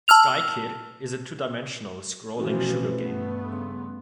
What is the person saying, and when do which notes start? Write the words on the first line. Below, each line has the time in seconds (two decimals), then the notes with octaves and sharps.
"Sky Kid" is a two-dimensional scrolling shooter game.
0.08 A5 E6 F6 F7
2.38 A1 B2 E3 F3 F#4
2.70 B4
3.03 G2 A3 B3
3.52 C#3 C6